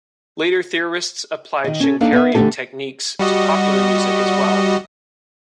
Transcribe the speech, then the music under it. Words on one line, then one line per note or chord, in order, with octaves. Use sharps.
Later theorists applied Schenkerian techniques to popular music as well.
D#3 D#5
C#4 A4
A#3 D4 D#4 A4 D#5 F5
B3 E5
D3 E3 A3 D#4 G4 A4
G3 F#4 D#5